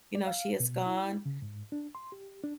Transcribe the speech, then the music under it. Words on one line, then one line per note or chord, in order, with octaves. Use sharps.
you know, she is gone.
D5
F5
B2
E4
C#3
G#2
D4
C6
G4
D4